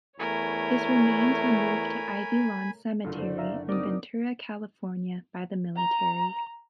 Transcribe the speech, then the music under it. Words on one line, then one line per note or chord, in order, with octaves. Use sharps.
His remains were moved to Ivy Lawn Cemetery in Ventura, California by the military.
E2 A3 A#4 C#5 G#5 B5
F#1 G2 D3 F4 A4
A4 C5 D5
E5 F5 A#5
C4 D#4 A#4 D5 D6 D#6
A#5